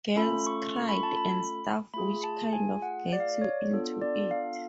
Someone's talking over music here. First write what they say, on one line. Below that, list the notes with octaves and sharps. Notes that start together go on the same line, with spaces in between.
Girls cried and stuff which kind of gets you into it.
A3 C#4 F4 A4 B5
C#6
C#6
B5
A5
B5
A3 F4 G#4 B5
A5
G#5
F#5
D5
F5
D5
C#5
B3 D4 F4 A4
D5
F5